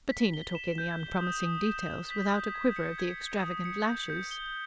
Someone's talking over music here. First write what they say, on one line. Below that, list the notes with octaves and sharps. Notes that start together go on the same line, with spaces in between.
Bettina took in the unpromising details without a quiver of the extravagant lashes.
B6
G7
E7
G6
G7
D#6
D#6
E7
E7
B6
G6
G#6
C#7
G#6
G#6
D#6
C#7
G6
G6
G7